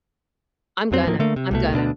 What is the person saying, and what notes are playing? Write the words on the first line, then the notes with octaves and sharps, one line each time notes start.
I'm gonna. I'm gonna.
F2 F#3 C4
D2 A2 F3 A#3
D3 A3 A#3
C3
C2 B2 A3
D2 B2 B3 D4